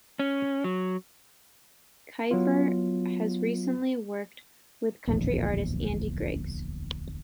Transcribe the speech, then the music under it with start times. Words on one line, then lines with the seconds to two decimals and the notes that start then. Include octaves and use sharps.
Keifer has recently worked with country artist Andy Griggs.
0.19 C#4
0.64 F#3
2.31 F#3 B3 F4
5.07 D1 A#1 E2